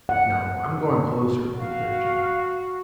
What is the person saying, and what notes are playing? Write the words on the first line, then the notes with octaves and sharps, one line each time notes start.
"No, I'm going closer," declared Jimmie.
F#5
F#4 F5